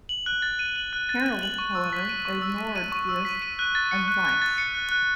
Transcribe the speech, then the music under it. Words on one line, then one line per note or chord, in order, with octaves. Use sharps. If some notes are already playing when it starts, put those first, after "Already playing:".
Harold, however, ignored Gyrth's advice.
F#7
F#6
A6
D#7
F#7
F#6
A6
D#7
F#7
C#6
E6
B6
D#7
C#6
E6
B6
D#7
C#6
E6
B6
D#7
F#6
A6
C#7
F#6
F#6
A6
C#7
F#6
F#6